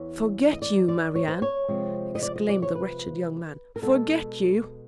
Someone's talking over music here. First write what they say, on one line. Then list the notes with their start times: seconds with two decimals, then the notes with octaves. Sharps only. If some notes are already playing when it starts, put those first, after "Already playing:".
"Forget you, Marie-Anne!" exclaimed the wretched young man, "forget you!"
Already playing: E2 E3 C#5
0.53 D#5
0.62 D5
0.88 D5
1.15 C#5
1.28 C5
1.42 C#5
1.68 C3 F3 G#3 C4
2.15 D#5
2.23 D5
2.36 D#5
2.49 D5
2.62 C#5
2.75 B4
3.76 A#4
3.82 B2 G#3 B3 A4